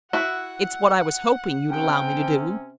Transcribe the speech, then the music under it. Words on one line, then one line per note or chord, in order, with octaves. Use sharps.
It's what I was hoping you'd allow me to do.
E4 F#4 F#5
C3 C4 C#4 G5